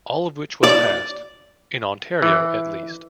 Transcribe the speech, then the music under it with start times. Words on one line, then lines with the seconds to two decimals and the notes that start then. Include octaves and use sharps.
All of which was passed, in Ontario at least.
0.63 D5
2.22 E3